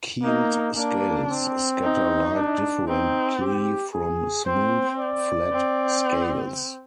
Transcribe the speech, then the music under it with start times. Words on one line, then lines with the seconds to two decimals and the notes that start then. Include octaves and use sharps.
Keeled scales scatter light differently from smooth, flat scales.
0.23 A#3 D#4
0.76 A#3 D4
1.30 C4
1.82 D#4
2.35 D4
2.87 C4 D#4
3.40 G4
3.93 G#4
4.45 C4 C5
4.99 D5
5.52 C4